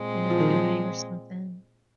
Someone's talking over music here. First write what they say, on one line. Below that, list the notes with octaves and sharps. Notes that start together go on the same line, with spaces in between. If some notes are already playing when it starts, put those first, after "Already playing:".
you know, "doing?" or something.
Already playing: A#2 G#3 C4
F3
D#3
F3